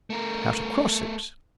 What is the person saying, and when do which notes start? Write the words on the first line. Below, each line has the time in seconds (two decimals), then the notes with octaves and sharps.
How to cross it?
0.10 A3 A#4